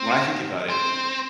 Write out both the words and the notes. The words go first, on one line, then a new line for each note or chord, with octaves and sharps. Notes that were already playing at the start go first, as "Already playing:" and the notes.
when I think about it, uh y you
Already playing: C4
C4